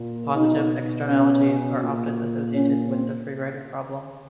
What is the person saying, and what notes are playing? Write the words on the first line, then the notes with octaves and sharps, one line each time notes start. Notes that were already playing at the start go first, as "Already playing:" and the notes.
Positive externalities are often associated with the free rider problem.
Already playing: A#2
B2 D#4
C#4
A#2
C#4
C4